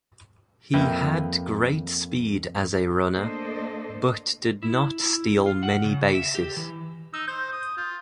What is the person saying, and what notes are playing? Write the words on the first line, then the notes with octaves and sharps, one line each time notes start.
He had great speed as a runner, but did not steal many bases.
F2 A#3 B4 E5 G5
A3 A#3 D4 A4 C5 D#5
E4
E4
F4
F#5
C#3
E5
G4
E3
D#4 E6
C5 G6
D#6
F4